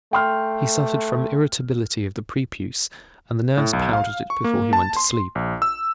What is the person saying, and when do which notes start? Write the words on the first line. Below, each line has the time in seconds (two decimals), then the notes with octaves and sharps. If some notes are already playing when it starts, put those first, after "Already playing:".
He suffered from; irritability of the prepuce, and the nurse powdered it before he went to sleep.
0.13 A3 G5 C6 F6
3.57 A2
3.73 B1
3.93 F5
4.30 C#6
4.44 A#3
4.73 A5
4.97 C6
5.35 A#1
5.62 E6